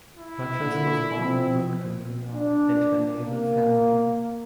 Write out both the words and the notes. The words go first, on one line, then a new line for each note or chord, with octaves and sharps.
Rodgers was born in Brooklyn, New York, into a naval family.
E4
A#2 D3
F3 C4
D4
A#3